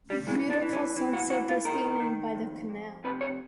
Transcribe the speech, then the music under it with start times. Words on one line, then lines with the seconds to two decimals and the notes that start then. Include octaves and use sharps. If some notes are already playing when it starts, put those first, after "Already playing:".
Beautiful sunset this evening by the canal.
0.10 G3
0.27 E3 G#3
0.50 D4
0.62 E3
0.73 C#4
0.97 E3
1.13 F#4
1.30 E3 F#4
1.49 F4
1.65 D#3 A#4
2.00 D#3
2.35 F2
2.70 F2
3.04 C3 B4
3.21 C#5